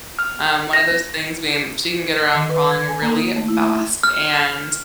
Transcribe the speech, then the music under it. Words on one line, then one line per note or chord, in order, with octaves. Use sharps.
Um, one of those things being she can get around crawling really fast, and
F6
A#6
D#3
B4
G#6
G#5
A#3
D#4
A3
E4
E5
F6